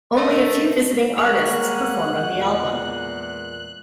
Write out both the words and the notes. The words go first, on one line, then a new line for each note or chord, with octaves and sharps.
Only a few visiting artists performed on the album.
A3 D4 A#4 D#5
G3 G#3 A#3 C#5 F#5 F#6
E2 A#2